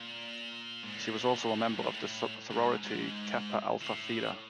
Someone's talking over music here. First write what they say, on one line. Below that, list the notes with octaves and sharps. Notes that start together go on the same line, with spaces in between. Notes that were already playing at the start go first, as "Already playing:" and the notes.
She also was a member of the sorority Kappa Alpha Theta.
Already playing: A#2
G#2
A2
A#2
B2
A#2
B2
A2
A#2
G#2
A2
G#2
G#2
A2